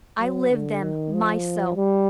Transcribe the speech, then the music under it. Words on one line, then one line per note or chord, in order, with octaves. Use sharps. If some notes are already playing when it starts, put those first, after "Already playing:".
I lived them myself.
F#3
D3
D#3
F3
G3